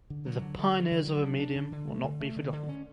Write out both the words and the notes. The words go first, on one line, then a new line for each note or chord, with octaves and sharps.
The pioneers of a medium will not be forgotten.
D3
F#3
D3
D3
F#3
D3
F#3
D4
D4
D3
D3
A3
D3
A3
D3
D3
C#4